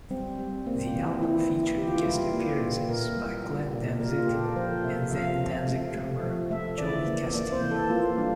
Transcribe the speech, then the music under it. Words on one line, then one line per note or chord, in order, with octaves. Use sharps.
The album featured guest appearances by Glenn Danzig and then-Danzig drummer Joey Castillo.
G3 C4
G3
A#3 C4
E3
E3 E4
E3 E4
E3 G4
F4
E4
G3 F4
A#3 G4
A#2
A#2 A#4
G3
G3
A#2
A#3 A#4
F4
G4
A#2
A4
A#4
F3 C5
C3 E5
F3 F5
C3
A3
A3
F3
A3 E5
E3 D5
A#3
A#3 D5
C5
E3
A4
A#3 F4
G3 D4